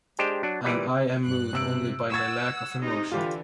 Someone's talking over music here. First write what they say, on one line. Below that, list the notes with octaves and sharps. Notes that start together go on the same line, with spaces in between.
And I am moved only by my lack of emotion.
G#3 D4 G4 C5 G5
F#3 D4
A#2 E3 G3 B4 D5
G2 F#6
C3 E6 D7
F#5 C#6 E6 G#6 A6
C3 D#4
D3 E3 F4 G4